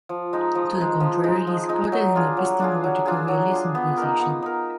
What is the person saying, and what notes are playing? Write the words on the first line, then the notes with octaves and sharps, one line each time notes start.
To the contrary, he supported an epistemological realism position.
F3
G#3 D#4
F3
G#3 D#4
F3
G#3 D#4
F3
G#3 D#4
F#3
D4 F4 G#4
F#3
D4 F4 G#4
F#3
D4 F4 G#4
F#3
D4 F4 G#4
B3
D#4 A#4
B3
D#4 A#4